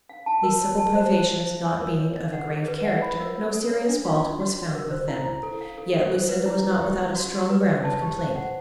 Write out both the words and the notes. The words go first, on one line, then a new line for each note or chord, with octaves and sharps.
These simple privations not being of a grave character, no serious fault was found with them; yet Lucinda was not without a strong ground of complaint.
F5
A5
A#4
C#5
A5
C5
C5
E5
E5
G#5
A#4
C#5
D#5
F#5
G#4
B4
F#5
B5
A#4
C#5
A4
C#5
D4
F4
D5
F#4
F#4
A#4
C5
E4
E4
A4
F5
A4
A4
C5
B4
E4
E4
G4
D#5
F#4
F#4
B4
E5
A5
G4
C5
F#5